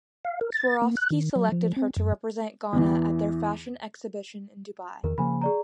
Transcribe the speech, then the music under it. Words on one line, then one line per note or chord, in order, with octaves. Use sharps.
Swarovski selected her to represent Ghana at their Fashion Exhibition in Dubai.
F5
A#4
A6
A#3
F#6
D#3
F#3
F3
C4
F#2
E2 E3
E2 D#3 A#4
C#3 F3 A#3 G#5 B5
G#4 D5 A#5